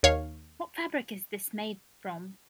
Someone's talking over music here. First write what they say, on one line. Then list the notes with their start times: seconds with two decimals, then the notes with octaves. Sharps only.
What fabric is this made from?
0.03 D#2 C#5 F5